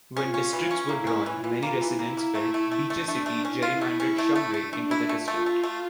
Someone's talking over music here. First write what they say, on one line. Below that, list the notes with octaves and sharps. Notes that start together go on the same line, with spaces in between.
When districts were drawn many residents felt Beecher City gerrymandered Shumway into the district.
C#4 F4
C#4
E3
C#4 E4
A#3
C#4
E3 F4
E3
A#3
E3 E4
A#3
A#3
A3
A3
A3
A3 D4
A3
A3
C#4 E4
F4
A3
C#4 E4
A3
A3
A3 D4
A3
E4
A3 F4
A3
A3
A3